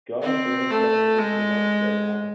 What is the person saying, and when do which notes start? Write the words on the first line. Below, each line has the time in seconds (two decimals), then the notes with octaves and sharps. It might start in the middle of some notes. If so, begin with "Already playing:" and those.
God grant that the wolf may not see our cattle.
0.22 C4
0.70 A3
1.18 G#3